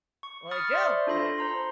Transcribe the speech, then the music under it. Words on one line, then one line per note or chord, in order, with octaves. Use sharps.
"Well, I don't," but
C#6
B5 C#6 D#6 F6 A6 C#7
C5 D5 E5 C6
D4 F4 A4 B5 C6 A#6
C5 A#5 C6